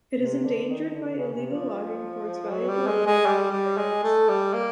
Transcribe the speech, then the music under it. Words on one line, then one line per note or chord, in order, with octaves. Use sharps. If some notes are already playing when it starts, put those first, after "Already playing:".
It is endangered by illegal logging for its valuable wood in many areas.
C3
D3
D#3
D3
C#3
C3
F3
F#3
G3
G#3
G#3
G3
G3
G#3
A3
G3
A#3